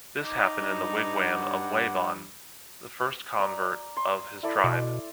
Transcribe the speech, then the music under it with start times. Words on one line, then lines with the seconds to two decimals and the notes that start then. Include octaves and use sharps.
This happened in the wigwam of Waban, the first convert of his tribe.
0.25 D#4 D6
0.61 G2
1.23 F#5
3.39 D5 A#5
3.97 C6
4.43 E4 A4 D5
4.64 B2